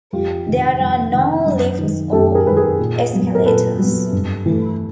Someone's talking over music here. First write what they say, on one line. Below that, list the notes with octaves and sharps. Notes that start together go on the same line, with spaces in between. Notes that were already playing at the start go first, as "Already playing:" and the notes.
There are no lifts or escalators.
F2 F4 G4
C3 D#3 G#3
F2
C3 D#3 G#3
F#2
D#3 G#3
F#2 G4 A4
G#4 A#4
D#3 G#3 B4
G#4 A#4
A#2
F#3 B3
A#4
A#2 A4 B4
F#3 B3
G2
E3 A3